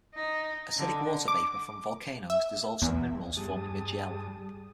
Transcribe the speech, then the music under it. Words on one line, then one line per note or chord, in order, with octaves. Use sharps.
Acidic water vapor from volcanoes dissolved some minerals forming a gel.
D#4
D3
D6
E5
E2
G2 G3 G#4 A5 D#6